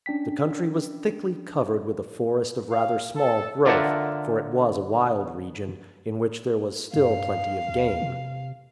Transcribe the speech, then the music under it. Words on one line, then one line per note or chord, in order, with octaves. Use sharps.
The country was thickly covered with a forest of rather small growth, for it was a wild region, in which there was still plenty of game.
C#4 D4 G5 B6
F5
A4
D3 F4 A#4 E5 F#5 A5
G2 F5
D#2
C3